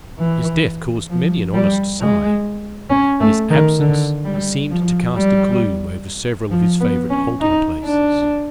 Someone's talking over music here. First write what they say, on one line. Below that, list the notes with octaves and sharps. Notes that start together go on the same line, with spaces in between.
His death caused many an honest sigh, and his absence seemed to cast a gloom over several of his favorite halting-places.
E3
F3
G3
G#3
C#4
A3
D#3
D3
G3
F3
G3
F3
B3
C#4
D#4
D4